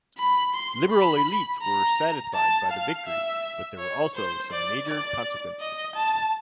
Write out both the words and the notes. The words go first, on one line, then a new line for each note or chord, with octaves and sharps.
Liberal elites were satisfied by the victory but there were also some major consequences.
B5
C6
B5
A#5
A5
F5
E5
C#5
C5
D5
D5
D#5
A5